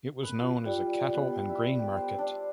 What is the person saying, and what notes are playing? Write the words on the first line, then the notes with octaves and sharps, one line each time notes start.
It was known as a cattle and grain market.
B4
F4
G3
B3
G3
E4
G4
C5
D4